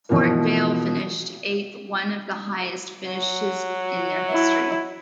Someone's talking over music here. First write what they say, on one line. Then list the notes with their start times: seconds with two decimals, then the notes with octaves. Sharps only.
Port Vale finished eighth - one of the highest finishes in their history.
0.09 B2 E3 F3 A#3
3.06 F#3
4.30 E4